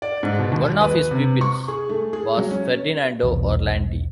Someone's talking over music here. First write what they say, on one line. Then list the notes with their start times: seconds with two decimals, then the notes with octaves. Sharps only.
One of his pupils was Ferdinando Orlandi.
0.02 D5
0.23 G#2
0.38 B2
0.52 D#2
0.81 B4
1.11 C3
1.41 C#6
1.68 G#4
1.89 A3
2.13 G#4
2.37 F#3
2.50 C#4
3.23 D#1 B1 E2